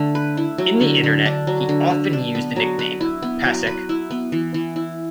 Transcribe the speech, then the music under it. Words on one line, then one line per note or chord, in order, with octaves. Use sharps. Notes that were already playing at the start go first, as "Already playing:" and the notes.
In the Internet he often used the nickname Pacek.
Already playing: D3 A3
B4
E4
F#3
D3
D3
D4
F#3
D3
D3
D4
B3
F#3
B4
E4
B3
F#3
B4
E4
B3
E3
E3
E4